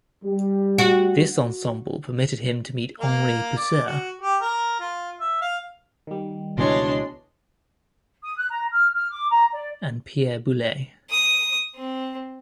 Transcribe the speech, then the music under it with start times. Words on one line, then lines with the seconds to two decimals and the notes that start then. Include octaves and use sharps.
This ensemble permitted him to meet Henri Pousseur and Pierre Boulez.
0.24 G3
0.78 F#4
3.00 A#3
3.58 D5
3.87 F#4
4.22 G4
4.42 A#4
4.80 F4
5.20 E5
5.42 F5
6.07 D#3 G3
6.58 C#2 B2 E3 G#3 D4 C#5 C6
8.23 D#6
8.38 F#6
8.51 A#5
8.72 F6
8.93 F6
9.11 D6
9.30 A#5
9.52 D5
11.10 D#6
11.75 C4